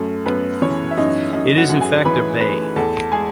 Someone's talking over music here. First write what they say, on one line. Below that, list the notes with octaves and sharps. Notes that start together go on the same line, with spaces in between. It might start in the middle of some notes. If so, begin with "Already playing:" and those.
It is in fact a'bay'.
Already playing: F#2 A3 A4
F#2 B3 B4
E3 C#4 C#5
E5
F#2 D#4 D#5
F#2 D#4 D#5
F#4 F#5
F#2 F#5
G#4 G#5
E3 B4 B5
A3 B4 B5
E2 A4 A5
G#3 G#4 G#5